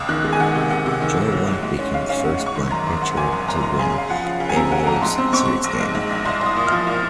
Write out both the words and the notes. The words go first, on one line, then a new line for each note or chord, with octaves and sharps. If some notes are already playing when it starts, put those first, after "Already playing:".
Joe Black became the first black pitcher to win a World Series game.
Already playing: C#2
D#3 F#6
G#3
G#5
D#3 F#5
C3
C3 F#5
C3
D#3
C2
F#3
G#2
G#2
C#4
G#2 F5
C#4 F5
F5
C#4 F#5
G#2
C#6
D#3 C6
F#2 A#5
G#1 C6
G#1 F#5
G#1 G#5
F#2
F#2 A#5
C6
F#2 A#5
C#3 G#5
C#3 F5
F3 F#5
F3
C#3
G#5
C4 A#5
C#3 F#5
F2 A#5
G#2 C6
C4
C4 C#6
C4
A#1
G#2
G#2
A#1
C2 C6
C2
D#6
A#2
F3 F6
A#2